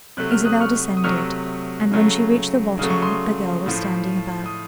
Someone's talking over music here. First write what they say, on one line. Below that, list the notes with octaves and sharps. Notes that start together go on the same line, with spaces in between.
Isabel descended, and when she reached the bottom the girl was standing above.
C3 F#3 A3 F#6
F6
D#6 F#6
C#6 F6
D#6
C3 F#3 A3 C#6 F6
C#3 F#3 A3
C#3 F#3 A3 D#6
C#6
C6 D#6
A2 F3 A3
D#6